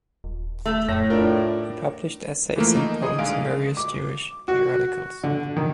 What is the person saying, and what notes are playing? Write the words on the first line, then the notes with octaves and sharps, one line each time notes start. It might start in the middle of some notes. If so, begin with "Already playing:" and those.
He published essays and poems in various Jewish periodicals.
D#1
A3
F2 A2 A#6
D4 F4 A#4
E3 F3 A3 A#3
D#4
G#4 D#5 D#6
A#1 D3 G#3 F5 D7
D6
F#4
D3
D#3